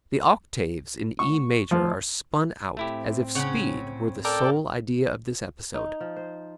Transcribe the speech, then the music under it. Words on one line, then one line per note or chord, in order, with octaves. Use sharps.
The octaves in E major are spun out as if speed were the sole idea of this episode.
C#6
F3
A2 A3 C4 E4 G4
C#3 C#4 C#5 F#5
A4 A#4 D5 G5
D#4
F3
C5